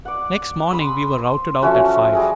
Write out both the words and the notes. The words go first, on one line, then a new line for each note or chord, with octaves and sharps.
Next morning we were routed out at five.
D5 F#5
B5 C6 D#6 E6
C5
F3 A3 C#4 F#4
G3 G#4 D#5